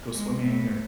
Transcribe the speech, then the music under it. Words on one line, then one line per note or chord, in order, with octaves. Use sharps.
go swimming, or
G#3
A2